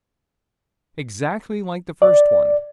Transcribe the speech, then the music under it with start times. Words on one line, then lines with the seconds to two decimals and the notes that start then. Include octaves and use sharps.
Exactly like the first one.
2.02 D5